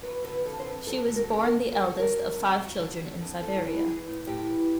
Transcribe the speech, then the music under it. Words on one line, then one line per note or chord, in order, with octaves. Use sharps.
She was born the eldest of five children in Siberia.
F#3 B4
D3 B4
F2 A4
C5
F2 B4
F#3 A4
D3
A#4
A4
F2 A#4
A#4
F2
F#3 A#4
A4
D3
A#4
F2
F2
F#3
D3
F2
F2
A2 A4
E3
E3 G#4
A2
A2 G4
E3